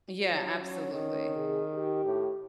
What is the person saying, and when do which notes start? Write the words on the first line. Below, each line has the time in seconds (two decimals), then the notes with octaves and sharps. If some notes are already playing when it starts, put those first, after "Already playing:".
Yeah, absolutely.
0.21 F#3 F4 C#5
0.59 C#4 C#5
0.93 D#3
1.35 C3 G#4
1.74 G4
2.04 A2